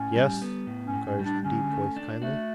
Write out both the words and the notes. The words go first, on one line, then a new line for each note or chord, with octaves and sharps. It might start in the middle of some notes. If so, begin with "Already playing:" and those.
"Yes," encouraged the deep voice kindly.
Already playing: A2 C#4
G3
B3
A2
C#4
A2
C#4
G3
D4
D3 C#4
A3
D4
A3 F#4